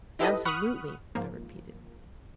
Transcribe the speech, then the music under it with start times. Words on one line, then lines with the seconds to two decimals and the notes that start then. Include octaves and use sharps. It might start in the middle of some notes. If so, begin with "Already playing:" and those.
"Absolutely!" I repeated.
0.19 D#4 E4 G4 A4 B4 D#5
0.45 F#5 B5 C#6 D#6 F6 F#6
1.15 G#2 F3 A#3